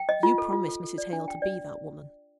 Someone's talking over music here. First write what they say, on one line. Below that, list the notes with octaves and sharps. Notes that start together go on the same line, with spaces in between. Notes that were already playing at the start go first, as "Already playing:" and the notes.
You promised Mrs. Hale to be that woman!'
Already playing: G5
D#5
F4
A4
F4
A4
A4
D5
D4
G5
D5